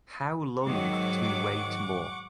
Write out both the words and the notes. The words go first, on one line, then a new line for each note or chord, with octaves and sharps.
How long to wait more?
G#2 D#3 F#3 F#5 C#6 D6